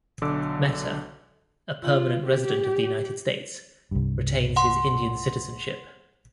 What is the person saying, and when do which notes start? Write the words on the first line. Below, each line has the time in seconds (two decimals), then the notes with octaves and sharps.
Mehta, a permanent resident of the United States, retains his Indian citizenship.
0.22 B1 D3 D6 E6
1.84 F4
2.26 G4
3.91 C2 G2
4.56 F#5 C6